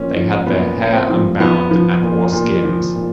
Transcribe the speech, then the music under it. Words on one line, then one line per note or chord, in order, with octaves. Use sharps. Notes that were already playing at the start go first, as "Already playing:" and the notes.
They had their hair unbound, and wore skins.
Already playing: A#2 F3 C#4
F3
A#2 B3
A#2
C4
F3
F3 B3
F3
A#2
A#2
F3
A#2